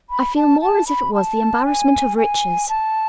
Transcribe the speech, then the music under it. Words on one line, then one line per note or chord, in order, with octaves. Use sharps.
I feel more as if it was the embarrassment of riches.'
B5
A5
A5
B5
A5
G#5
G#5
A5